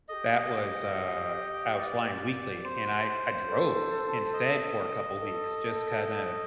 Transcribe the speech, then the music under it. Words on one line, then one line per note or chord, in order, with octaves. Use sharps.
that was, uh I was flying weekly, and I I drove instead for a couple weeks just to kinda
G4 A4 D#5
D5
C5
A4
D#5
A4
D#5